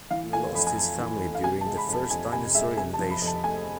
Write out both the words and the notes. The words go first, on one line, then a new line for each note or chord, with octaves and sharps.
He lost his family during the first Dinosaur invasion.
E3 F5
A3 G#5
F2 B5
G#5
F2 A5
E3
A3
F5
C3 G#5
A5
G#3
B5
F2 A5
F2 G#5
C3 G#5
G#3 E5
C3 G#5
A5
F3
B5
F2
A5
A3 G#5